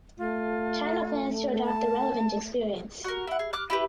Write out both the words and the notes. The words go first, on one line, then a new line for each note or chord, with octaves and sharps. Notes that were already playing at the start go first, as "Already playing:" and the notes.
China plans to adopt the relevant experience.
A3 F4
A5
F#4 A#4
E4 F#5
G#4
D6 F6 F#6
E4 G4 B4